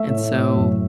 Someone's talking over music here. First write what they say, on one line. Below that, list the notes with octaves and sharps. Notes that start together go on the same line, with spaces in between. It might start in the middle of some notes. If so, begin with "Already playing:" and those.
And so,
Already playing: A3 E5
A2
A2
F#2